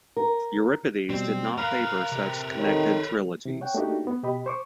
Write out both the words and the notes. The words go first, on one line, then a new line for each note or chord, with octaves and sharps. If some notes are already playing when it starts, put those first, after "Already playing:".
Euripides did not favor such connected trilogies.
A#4
B2 G3 C4
A#4 B4 F5 A#5 B5
C3
D#3 A4 C#5
C3
C#5 F#5 G5
A3 A#3 D4 D#4 F#4 G4
B3
B2 G4 D#5 B5
C5 C#6 D6